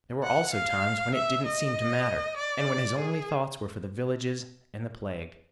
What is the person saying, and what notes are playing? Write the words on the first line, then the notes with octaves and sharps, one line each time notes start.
There were also times when it didn't seem to matter, and when his only thoughts were for the villages and the plague.
F#5
F5
E5
D#5
D5
G#4